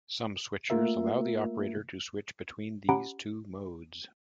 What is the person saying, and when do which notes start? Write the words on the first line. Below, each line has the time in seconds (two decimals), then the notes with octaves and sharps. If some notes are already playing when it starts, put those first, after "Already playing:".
Some switchers allow the operator to switch between these two modes.
0.70 A3 A#3 F4 A#4 E5
2.89 C#4 G4 F#5 A#5 B5 D7